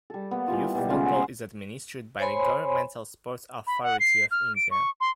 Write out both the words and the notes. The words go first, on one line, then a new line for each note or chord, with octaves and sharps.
Youth football is administered by the governmental Sports Authority of India.
G3 A4
A#3 B3
E3 G3 F4
B2 F#3 G3 G4
C#3 G#3 A3 F4
F#5 C6
C5 C#5 G#5 B5 C6
B5
F#5
C7
F6
D7
C#6
C6